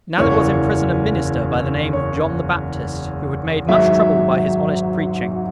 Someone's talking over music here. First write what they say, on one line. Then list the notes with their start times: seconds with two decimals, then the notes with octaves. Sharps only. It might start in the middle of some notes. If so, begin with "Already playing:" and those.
Now there was in prison a minister by the name of John the Baptist, who had made much trouble by his honest preaching.
0.18 F#1 E2 E3 C#5
1.93 C#5
3.68 G#1 G#2 F#3 E5